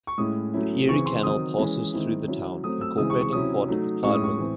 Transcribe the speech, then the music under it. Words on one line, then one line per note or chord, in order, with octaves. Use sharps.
The Erie Canal passes through the town, incorporating part of the Clyde River.
C#6
A2 G#3 C#4 E4 D#6
F#3 A3 C#4 E4
C#3 E3 C4 E4 C#6
C6
D#3 F#3 C4 D#6
E3 G#3 C#4
D#3 G#3 C4 E4
F#3 C#4 E4
F#3 A3 C4 D#6
E6
C#3 E3 G#3 C4 E4 D#6
C#6
C#6
C3 F#3 C#4 E4 D#6
F#3 A3 D#4
A2 G#3 C#4 E4 C#6
D#6
C#6
A2 E3 C4 E4